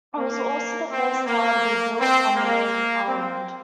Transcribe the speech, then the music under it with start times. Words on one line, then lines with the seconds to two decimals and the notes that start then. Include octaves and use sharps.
It was also the first tower to be built on the main island.
0.17 A#3
0.90 C4
1.26 A#3
2.00 C4
2.36 A#3
3.09 C4